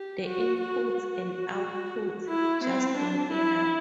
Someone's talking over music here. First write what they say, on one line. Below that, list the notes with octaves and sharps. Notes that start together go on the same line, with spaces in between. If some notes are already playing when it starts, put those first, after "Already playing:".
The inputs and outputs just don't add up.
Already playing: G4
F#4
F#4
F#4
E4
C4
D4
E4